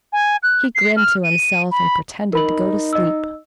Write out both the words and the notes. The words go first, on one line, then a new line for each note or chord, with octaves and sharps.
He grinned to himself and pretended to go to sleep.
G#5
F#6
C7
F6
D#7
B5
D#4 A#4 B5 F#7
D#5 E6